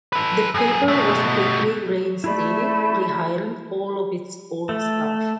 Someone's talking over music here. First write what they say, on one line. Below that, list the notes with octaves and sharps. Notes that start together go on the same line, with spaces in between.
The paper was quickly reinstated, rehiring all of its old staff.
A4 B4
F#2 G#4
B2 A3
A3 E4 G#4 D5 E5 B5
A3